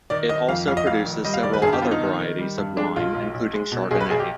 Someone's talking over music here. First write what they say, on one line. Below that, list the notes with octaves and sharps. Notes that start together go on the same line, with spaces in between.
It also produces several other varieties of wine, including Chardonnay.
D#3 D5
D#3 D#5
F2 F5
F2 F5
D#5
F1 F5
D#3
G3 D#5
F5
D#3 D5
B4
G2 G#4
G4
B3 F4
D#4
D#3
D#3
G3
G2
G#3 D4
B1 F4
B1
B1
G#3
B2
B1 G#4
B4
B1 G#4
G4